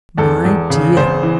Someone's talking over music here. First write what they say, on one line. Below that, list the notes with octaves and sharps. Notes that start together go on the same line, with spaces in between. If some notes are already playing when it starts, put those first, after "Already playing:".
"My dear!"
E2 A4
E2
C#3
E2 C5
E3